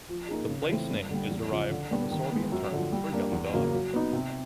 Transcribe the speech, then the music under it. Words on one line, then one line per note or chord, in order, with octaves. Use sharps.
The place name is derived from the Sorbian term for "young dog".
F3
A#3 D#4 G#4
C#3
E3 A3 C4
G2
D3 G3
E2
C#3 F3
D3
G3 B3 D4
D#3
G#3 B3
F#2
D3 F3
G3
A#3 D4 G4
E2
C#3 F#3 A#3
F#3
B3 D#4
C3